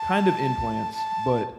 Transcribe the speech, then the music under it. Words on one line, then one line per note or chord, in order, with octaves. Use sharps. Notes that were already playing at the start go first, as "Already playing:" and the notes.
kind of implants, but
Already playing: A5
A5